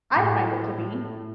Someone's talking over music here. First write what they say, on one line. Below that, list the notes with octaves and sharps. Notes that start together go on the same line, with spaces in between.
I find it to be.
A2